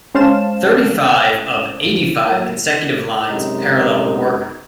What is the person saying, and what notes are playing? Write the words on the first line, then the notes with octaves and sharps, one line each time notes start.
Thirty-five of eighty-five consecutive lines parallel the work.
G#3 C#4 C5 F5 A5 E7
F#3 A#3
F#2 C3 G#3 D#4